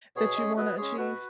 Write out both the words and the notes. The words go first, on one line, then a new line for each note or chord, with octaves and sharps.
that you wanna achieve?
B2 G#4 C#5
G#3 C#4
B2 B4 D#5
G#3 C#4 G#4 C#5
B2 F#4 B4